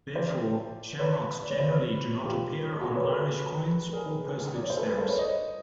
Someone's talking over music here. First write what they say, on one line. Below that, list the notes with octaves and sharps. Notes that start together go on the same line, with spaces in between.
Therefore, shamrocks generally do not appear on Irish coins or postage stamps.
C5 D5
B4 C#5
D5
C#5
C5
B4 C#5
F4 G4
F#4 G#4
B4 C#5
A#4
A4 B4
G#4 A#4
D5
C#5
C5
A4 B4
A4 B4
A#4 C5
B4 C#5
C#5 D#5